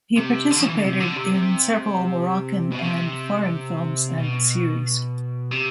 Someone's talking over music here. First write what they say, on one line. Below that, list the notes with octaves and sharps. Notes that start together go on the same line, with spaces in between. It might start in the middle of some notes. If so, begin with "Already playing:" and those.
He participated in several Moroccan and foreign films and series.
C3
D3
F3
E3
D3
C3
D3
C3
C3
B2
C3
B2
C3